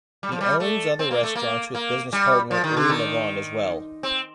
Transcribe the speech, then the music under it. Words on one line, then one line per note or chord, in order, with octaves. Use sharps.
He owns other restaurants with business partner Uri Navon as well.
G3
F3
G3
A3
C4
A#3
A3
A#3
A#3
G3
F3
D#3
D3
D#3
C4